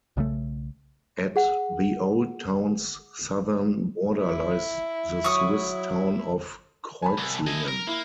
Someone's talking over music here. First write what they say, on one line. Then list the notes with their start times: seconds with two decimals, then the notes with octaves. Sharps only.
At the old town's southern border lies the Swiss town of Kreuzlingen.
0.17 B1 C#3 F#3 A3
1.36 G#4 F#5
4.18 E4
5.24 F#3 C#6 D#6
7.02 G#5 A5 B5
7.18 C2
7.47 E4 D#5
7.68 A#4
7.87 A#3 E4